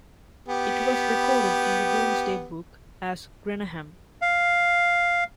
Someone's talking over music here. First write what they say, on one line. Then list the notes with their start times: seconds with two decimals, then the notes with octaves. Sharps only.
It was recorded in the Domesday Book as "Greneham".
0.49 B3 G4
4.22 F5